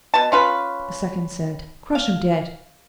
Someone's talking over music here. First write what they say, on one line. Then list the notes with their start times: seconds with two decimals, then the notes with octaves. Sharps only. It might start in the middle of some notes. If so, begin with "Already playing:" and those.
The second said, 'Crush him dead.'
0.14 B2 A5
0.32 C#4 F4 B4
1.95 F5